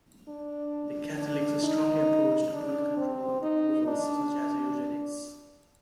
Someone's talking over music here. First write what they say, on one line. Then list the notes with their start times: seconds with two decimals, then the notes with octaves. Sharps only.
The Catholics strongly opposed birth control proposals such as eugenics.
0.28 D4
1.18 D4
1.63 D#4
2.52 D4
2.97 C4
3.42 D#4
3.88 D4